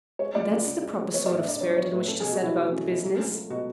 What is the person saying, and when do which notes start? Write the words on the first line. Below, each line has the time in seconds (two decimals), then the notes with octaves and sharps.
"That's the proper sort of spirit in which to set about the business."
0.19 G#3 C#5
0.35 C#2 D5
0.51 C#2 D5
0.66 C#3
0.83 G#3
0.98 C#2
1.14 B3 C#5
1.26 D5
1.29 A2
1.37 E5
1.45 D4 D5
1.61 F#3 C#5
1.77 B3 C#5
1.93 A2 B4
2.08 C#4 A4
2.20 G#4
2.24 B2
2.32 F#4
2.40 B2 E4
2.56 A3 F#4
2.71 C#4
2.87 B2
3.03 F#3
3.19 C#2
3.35 A3
3.50 B2 F#4